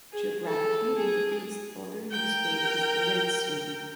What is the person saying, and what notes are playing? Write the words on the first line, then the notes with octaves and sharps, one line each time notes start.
Geographically, in the east, bordering the state, is the Red Sea.
G#4
A4
G#4
A#4 G5